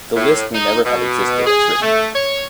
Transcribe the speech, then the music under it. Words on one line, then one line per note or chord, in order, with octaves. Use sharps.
The list may never have existed as written.
A2
D#4
B2
G#4
A3
C#5